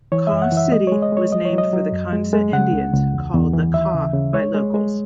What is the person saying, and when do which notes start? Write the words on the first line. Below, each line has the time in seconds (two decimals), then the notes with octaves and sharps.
Kaw City was named for the Kanza Indians, called "the Kaw" by locals.
0.12 E3 C#5
0.27 F#2 E5
0.42 F#5
0.52 E3 E5
0.71 G#3 D#5
0.87 G#3 C#5
1.02 D#5
1.12 G#3 C#5
1.32 F#3 D#5
1.45 C#5
1.53 F#3
1.58 D#5
1.73 F#3
1.92 F#2
2.13 G#3
2.33 G#3
2.53 C#3 F#5
2.73 C#2
2.93 C#2
3.13 E2
3.34 E2
3.53 E3
3.74 D#2 E5
3.94 C#3
4.13 C#3
4.34 G#3 C#5
4.54 G#3
4.74 G#3